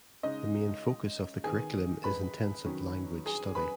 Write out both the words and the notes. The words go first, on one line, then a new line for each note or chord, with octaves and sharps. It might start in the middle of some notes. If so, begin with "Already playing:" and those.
The main focus of the curriculum is intensive language study.
C#3 G#3 C#4 D#4 D#5
D#3 B3 G#4 G#5
B4 B5
D#3 F#3 C#4
G#4 G#5
B4 B5